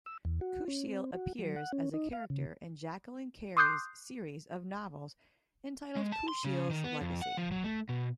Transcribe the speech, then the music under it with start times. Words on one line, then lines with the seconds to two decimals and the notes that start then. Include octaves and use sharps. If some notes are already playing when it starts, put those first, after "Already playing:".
Kushiel appears as a character in Jacqueline Carey's series of novels entitled Kushiel's Legacy.
0.06 E6
0.25 E2
0.41 F#4
0.68 C#4
0.87 C4
1.15 F#4
1.39 F#3
1.56 F#5
1.72 C#4
1.94 D#4
2.13 F5
2.30 C#3
3.57 C6 D6 D#6 F#6 G6 C7
5.96 G#3
6.12 A5
6.28 C6
6.44 C#3
6.70 D#3
6.84 B3
7.01 F2
7.22 F#5
7.37 F3
7.51 F#3
7.64 A3
7.89 B2